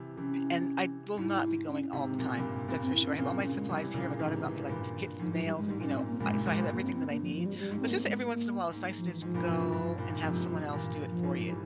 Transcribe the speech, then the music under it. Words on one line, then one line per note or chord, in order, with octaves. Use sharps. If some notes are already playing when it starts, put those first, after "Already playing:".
And I will not be going all the time, that's for sure. I have all my supplies here, my daughter got me, like, this kit for nails and, you know, I so I have everything that I need. But just that every once in a while, it's nice to just go and have someone else do it for you.
Already playing: C3 E3
C3 E3 C#4
G#2 E4
C#4
G#2 C3 C4
A#2
C3
G2 A#2
G2 A#2 C4
C4
E4
C#4
A#2 C#3 C4
C4
C#4
G#3
C3 E3 G3
A#2 C#3
G#2 C3 E3
G2 A#2
G#2 F3
F3
G3
G#3
G#2 G3
A#2 C#4
G#2
C4
A#3
G2 A#2 G#3
G#2 C3
G2 A#2 G#3
G2
A#3
C4
C4
A#3
F3
F3
G3
G3
G#2 G#3
C4
A#3
G#3
A#3
G#2
F3
E3
G#2 F3
G2 A#2
G#2 C3
G#2
G2
G#2
G2 A#2
G#2
G#2 C3 F3
G2 A#2 E3
F3
G#2
E3 G3